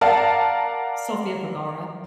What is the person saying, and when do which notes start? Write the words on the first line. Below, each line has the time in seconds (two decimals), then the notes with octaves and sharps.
Sofia Vergara.
0.01 A#4 D5 F5 F#5 A5